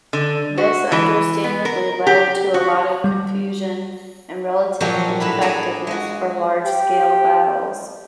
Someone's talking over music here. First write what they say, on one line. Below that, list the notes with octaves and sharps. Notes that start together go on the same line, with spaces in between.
This understandably led to a lot of confusion and relative ineffectiveness for large-scale battles.
D3
F#4
E3
B3
A#4
G4
F#4
G3
A#2 F3 F#3 C#4 F#4 G4
A2 D4 E4 B5
G#4 A4 D5 G#5 A#5
G#3 F#4
G4